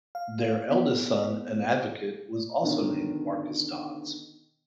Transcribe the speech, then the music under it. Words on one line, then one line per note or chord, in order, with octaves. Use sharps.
Their eldest son, an advocate, was also named Marcus Dods.
F5
B3
B2 D3 D#3